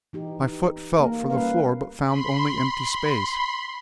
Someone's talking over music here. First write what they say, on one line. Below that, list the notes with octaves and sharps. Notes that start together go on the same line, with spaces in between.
My foot felt for the floor but found only empty space.
E3 D#4 G4
A#3 A#4
G3 A#3 C#4 B4 F5
B5 C6